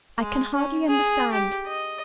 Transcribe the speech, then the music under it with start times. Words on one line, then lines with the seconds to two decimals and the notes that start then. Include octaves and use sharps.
I can hardly understand.
0.18 G#3
0.55 C#4
0.87 G#4
1.33 G4
1.67 D#5